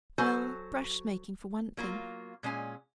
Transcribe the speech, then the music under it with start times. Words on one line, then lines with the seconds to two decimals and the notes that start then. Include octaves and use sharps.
'Well, brush-making for one thing.'
0.18 F#3 F#4 A4 C5 G#5
1.77 F#3 A#3 F4
2.43 A#2 G#3 C#4 G#5